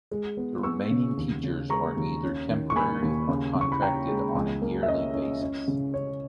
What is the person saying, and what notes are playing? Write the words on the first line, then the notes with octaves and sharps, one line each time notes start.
The remaining teachers are either temporary or contracted on a yearly basis.
G#3
B3
B3 C#6 E6
C#3
D#2
C#3
G#3 A#5 C#6
D#2
C#4
D#3
C#6
A#3 G#5 B5
D#2
C#3
C#3
C#6
B5
C#4 G5 A#5
G#3
C#2
A#3
E5
C#4 D#5
C#4
C#4
C#3
C#4 C#5